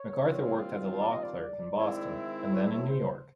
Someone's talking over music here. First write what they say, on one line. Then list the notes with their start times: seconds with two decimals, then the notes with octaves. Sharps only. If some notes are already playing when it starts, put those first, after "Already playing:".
MacArthur worked as a law clerk in Boston and then New York.
Already playing: C#5
0.26 D#3 G3 C4 F4
1.01 D5
1.12 D#5
1.23 D5
1.77 D#3 G#3 C4 E4
2.51 C#5
2.61 D5
2.71 C#5
2.90 C5